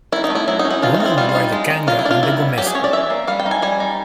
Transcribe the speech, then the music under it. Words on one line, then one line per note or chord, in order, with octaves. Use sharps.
Women wear the kanga and the gomesi.
D#3 E4
D#4
A3
E4
F#3 E4
D#4
C#4
E4
E3 F4
D#4
C4
E4
G3 F4
F4
D#4
G#3
D#4
F#3 F4
E4
D4
F4
D#3 E4
B3
F#3 G4
G#4
C#4 C#5
D5
E3 E5
A#3
G3 F5
G5
D#4
G#5
G3 G#5
D#4